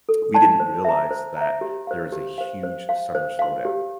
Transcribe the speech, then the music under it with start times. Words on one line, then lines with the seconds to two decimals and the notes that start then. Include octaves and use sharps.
we didn't realize that there is a huge summer slowdown.
0.09 A4
0.34 D5 A5 C6
0.60 C5
0.85 E5 A#5
1.11 C5
1.36 E5 A#5
1.61 G4
1.87 C5 F5
2.12 G4
2.38 C5 F5
2.63 C5
2.89 F5 C6
3.15 C5
3.39 F5 C6
3.65 G4